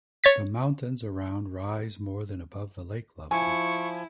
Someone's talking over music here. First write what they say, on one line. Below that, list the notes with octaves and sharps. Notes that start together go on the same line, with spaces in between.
The mountains around rise more than above the lake level.
C#5 A6 B6
F3 E4 G#5 C#6